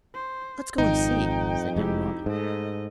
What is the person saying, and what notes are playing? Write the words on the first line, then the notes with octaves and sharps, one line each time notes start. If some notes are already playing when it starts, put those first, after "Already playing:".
"Let's go and see," said young Robin.
C5
G#1 F2 D#4 G5
F1 G#3 E4 G4
G#2 A3 D#5